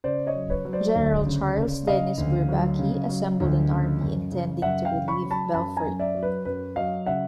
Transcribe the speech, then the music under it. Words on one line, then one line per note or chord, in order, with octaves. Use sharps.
General Charles Denis Bourbaki assembled an army intending to relieve Belfort.
C#3 C5 D5
C#5 D#5
F#3
B4 C#5
F#3
C5 D5
D2
C#3
C#3
C#3 D#5 F5
D2
F#3
C#3
F#3
D2
C#3
F#2
C#3
F#2 E5 F#5
F5 G5
C#3
B5 C#6
F#3
A5 B5
F#2 A5 B5
G#5 A#5
F#2
D5 E5
F#3
B4
F#2 B4
F#3 D#5 F5
C#3 E5 F#5